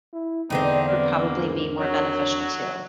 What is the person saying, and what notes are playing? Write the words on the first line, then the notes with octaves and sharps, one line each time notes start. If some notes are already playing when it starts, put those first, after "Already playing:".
would probably be more beneficial too.
E4
E2 D3 B3 C4 D#4 G5
A#3 D5
G#2 A#4
F#3 C#5